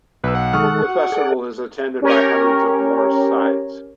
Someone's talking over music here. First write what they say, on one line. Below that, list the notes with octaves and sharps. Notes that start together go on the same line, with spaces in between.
The festival is attended by hundreds of Morris sides.
B1 B4 E6
F#5
D#3 G#3 A4 C#6 D#6 F6
F#4
G#4 A4 D5
C#4 G4 A#4 C#5